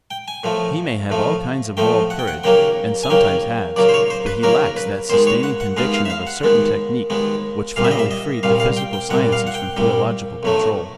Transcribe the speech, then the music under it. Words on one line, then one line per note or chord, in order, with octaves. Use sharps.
He may have all kinds of moral courage, and sometimes has, but he lacks that sustaining conviction of a certain technic which finally freed the physical sciences from theological control.
G5
G#5
A2 F3 A3
A2 F3 A3
A2 F3 A3 G5
F#5
G5
F#5
D#2 C#3 F#3 A#3 G5
G#5
D#2 C#3 F#3 A#3 G5
D#2 C#3 F#3 A#3 D5
C5
C#5
C5
B4
D#2 C#3 F#3 A#3 A#4
B4
D#2 D#3 G#3 B3 C5
C#5
F#5
F#5
D#2 D#3 G#3 B3 F5
F5
E5
F5
F#5
D#2 D#3 G#3 B3
D#2 D#3 G#3 B3
C2 A#2 G3 F5
E5
D#5
E5
D#5
C2 A#2 G3 F5
F5
G5
G5
C2 A#2 G3 F#5
F5
F#5
G5
C2 A#2 G3
B1 A2 F#3 A3